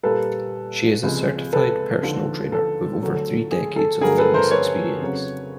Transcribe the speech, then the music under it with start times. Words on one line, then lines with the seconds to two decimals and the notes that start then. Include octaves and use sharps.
She is a certified personal trainer with over three decades of fitness experience.
0.03 A#2 G3 A#3 A4 B4
1.03 C#2 C3 F3 G#3
1.53 A4 B4
2.02 D#2 D3 F3
2.52 A4
3.02 D2 D3 F#3 A3
3.52 G#4
3.76 A4
4.01 G2 D3 F#3 A3 G#4 A#4
4.18 A4 B4
4.34 A#4 C5
4.51 B4 C#5
5.01 F2 C#3 F#3